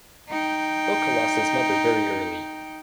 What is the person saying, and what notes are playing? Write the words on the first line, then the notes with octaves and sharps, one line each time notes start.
Boka lost his mother very early.
D#4 G5